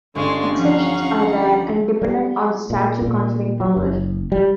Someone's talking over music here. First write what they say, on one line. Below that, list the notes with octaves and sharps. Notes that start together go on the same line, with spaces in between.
Exceptions are rare and dependent on the statute conferring power.
G1 D3 G#3 C#4 D5 F5 C6 C#6
F3 C#4 D#4 F5 F#5
G3
A#2
A#2
F#3
F#1
G3